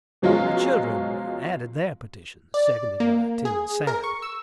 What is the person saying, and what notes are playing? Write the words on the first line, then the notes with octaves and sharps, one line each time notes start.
The children added their petitions, seconded by Tim and Sam.
B2 F3 F#3 G#3 C#4 F4
D5
A#3
G#4
A#4
C#6
E6